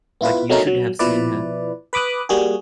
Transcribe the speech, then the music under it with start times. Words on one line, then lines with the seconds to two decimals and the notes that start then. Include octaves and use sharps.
But you should have seen her!
0.21 B3 E4 F4 B4
0.50 F#3 A3 C#4 D#4 A#4
0.67 F#3
0.99 B2 F3 E4 B4 D5
1.93 B4 B5 D6 D#6 F#6
2.29 G3 A#3 F#4 G#4